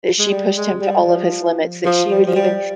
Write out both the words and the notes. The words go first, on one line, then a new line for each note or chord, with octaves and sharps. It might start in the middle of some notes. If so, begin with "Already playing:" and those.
That she pushed him to all of his limits, that she would even
G#3
G3
G#3
G3
F3
F3
G3
F3
G3